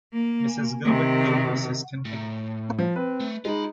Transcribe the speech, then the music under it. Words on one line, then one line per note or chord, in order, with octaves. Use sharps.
Mrs. Gilbert played Mrs. Kinpeck.
A#3
C3 D#3
A2
F3
C4 B4
A3
G#3 D#4 F4 B5